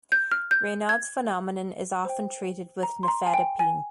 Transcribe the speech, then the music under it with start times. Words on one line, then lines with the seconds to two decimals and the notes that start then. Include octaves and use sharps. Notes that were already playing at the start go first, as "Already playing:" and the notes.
Raynaud's phenomenon is often treated with nifedipine.
0.12 G6
0.31 F6
0.51 G6
0.89 G#6
2.05 C5 G5
2.83 A#5
3.03 C6
3.08 A#5
3.27 G#5
3.34 G5
3.59 G#5